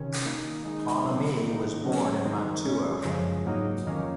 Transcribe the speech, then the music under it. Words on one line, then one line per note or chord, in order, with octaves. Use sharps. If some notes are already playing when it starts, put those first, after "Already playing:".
Bonomi was born in Mantua.
Already playing: C3 D#3 C#4
D#3 A#3 D#4
D#3 G#3 D#4
A#2 F#3 C#4
D#3 A#3 D#4
C#3 F#3 C#4
D#3 G#3 C4 D#4
A#2 G#3 C#4
F#2 C#3 F3 G#3
G#2 F#3 A#3 D#4
F2 D#3 A#3 C#4